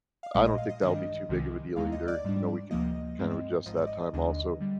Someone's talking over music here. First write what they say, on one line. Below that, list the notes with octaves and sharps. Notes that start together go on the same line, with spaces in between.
I don't think that'll be too big of a deal either, you know, we can kind of adjust that time, also.
F5
A#1 A#2 G#3 D#5
D#5
F5
D#5
G2 D#3 G3 D4 D#5
C2 C3 D#3 G#3
D#2 D3 G#3 D#4 F5
D#5
D5
G#2 G3 D4
D2 C3 F3 A#3 D#5
G2 F3 G#3 C4
G#1 G#2 F3 D#5
D5
D#5
D#2 D3 G#3 D4 D#5
D3 G3